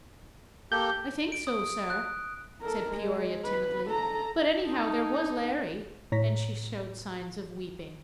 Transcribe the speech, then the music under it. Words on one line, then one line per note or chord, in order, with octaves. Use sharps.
"I think so, sir," said Peoria, timidly; "but, anyhow, there was Larry;" and she showed signs of weeping.
A#3 G4 A4 G6
D7
D#6
F#6
A4 A#4
G#3
B4
A4 A#5
D#4 A4
A2 C#5 A#5 A#6 B6